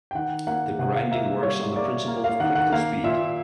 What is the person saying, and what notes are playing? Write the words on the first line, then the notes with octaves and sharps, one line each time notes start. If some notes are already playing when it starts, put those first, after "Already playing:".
The grinding works on the principle of critical speed.
G5
D#3 F#5
A#3 F#5
C3 F#5
F5
A#3 E5
G3 C#5
A#3 D5
A#3
F5
D#3 F#5
F#5
A#3 F5
A#2 E5